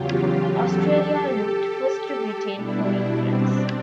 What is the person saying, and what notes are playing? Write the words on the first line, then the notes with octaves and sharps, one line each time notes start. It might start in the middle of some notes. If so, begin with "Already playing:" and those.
Australia looked first to Britain for migrants.
Already playing: E2 C#3 F#3 F4 G4
G4 A4
B2 G3 D4 E4
C4 D4